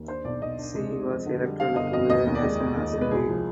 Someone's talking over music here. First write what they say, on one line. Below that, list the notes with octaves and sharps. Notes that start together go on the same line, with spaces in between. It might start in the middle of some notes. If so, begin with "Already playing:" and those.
She was elected to the National Assembly.
Already playing: D#2
D4 C5
B1 D5
B1 D#5
D4
G#3
G#3
F2
D3
G3
D3 F5
G1 D#5
F2 D#5
D#2 D#5
D#2
D5
G#3
G#3
D#2
G#3
B4
C2 G#4
F3